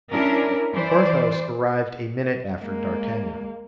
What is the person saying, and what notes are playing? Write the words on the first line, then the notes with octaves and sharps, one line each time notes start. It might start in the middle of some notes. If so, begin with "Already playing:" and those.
Porthos arrived a minute after d'Artagnan.
C#4 D4 E4 A#4
E3 C5 D5
G#3 A#3